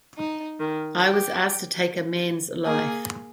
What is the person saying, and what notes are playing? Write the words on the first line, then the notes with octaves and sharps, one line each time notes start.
I was asked to take a man's life.
D#4
D#3
G4
A#3 G#4